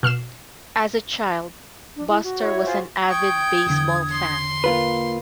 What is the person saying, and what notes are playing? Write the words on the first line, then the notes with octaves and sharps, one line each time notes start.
As a child Buster was an avid baseball fan.
B2 F6 C7 E7
D4
E4
F#4
E4 C#5
F4 G#4 C5
G5 C#6 D#6 G#6
E2 D3
C6
A#3 F4 B4